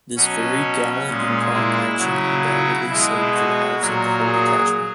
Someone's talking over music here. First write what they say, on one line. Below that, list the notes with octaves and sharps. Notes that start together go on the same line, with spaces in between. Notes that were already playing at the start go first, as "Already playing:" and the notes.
This very gallant and prompt action undoubtedly saved the lives of the whole detachment.
B2 F#3 C#4
A#2 G#3
E4
C#3 F#3
E4
B2 G#3 E4
F#4
A#2 F#3 A#4
G#4